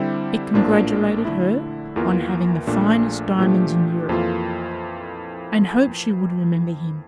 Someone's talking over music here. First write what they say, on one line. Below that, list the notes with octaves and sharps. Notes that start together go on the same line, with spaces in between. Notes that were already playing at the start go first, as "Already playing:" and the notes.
It congratulated her on having the finest diamonds in Europe, and hoped she would remember him.
Already playing: D3 G3 C4 E4 G4
A#1 A2 F3 A#3 D4
D3 A3 E4
E2 E3 A#3 F4 A#4
A#1 A#2 A3 D4
A#2 F3 A3 D4 G4
F2 E3 A#3 F4 A4